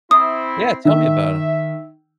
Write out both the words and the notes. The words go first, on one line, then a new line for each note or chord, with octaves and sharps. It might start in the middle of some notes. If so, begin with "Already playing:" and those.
Yeah, tell me about it.
C4 E4 D#6
D#3 E5